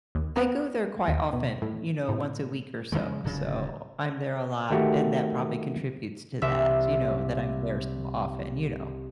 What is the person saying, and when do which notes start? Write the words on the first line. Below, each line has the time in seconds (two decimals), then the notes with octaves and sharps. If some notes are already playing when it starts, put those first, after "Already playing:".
I go there quite often; you know, once a week or so, so I'm there a lot, and that probably contributes to that, you know, that I'm there so often, you know.
0.15 D#2
0.37 B3
1.08 D#2
1.33 B2
1.62 A2
2.09 A2
2.92 C#3 E3 F3 G#3
3.24 D1 G2 C#3
4.70 D#3 A3 F#4 G4
6.42 C2 E5